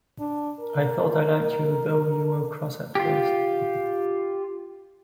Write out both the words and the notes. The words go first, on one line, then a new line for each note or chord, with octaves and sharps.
I thought I liked you, though you were cross at first.
D4
A#4
F4 G4